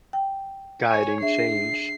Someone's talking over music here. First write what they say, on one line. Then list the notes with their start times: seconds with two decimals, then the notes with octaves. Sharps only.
guiding change,
0.13 G5
0.89 C#5 G#5
1.21 D4 G#4 E5 C7